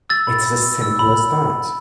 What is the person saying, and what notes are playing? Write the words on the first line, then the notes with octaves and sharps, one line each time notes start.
It's as simple as that.
E6 A6
B5
B5
E6
E6
B5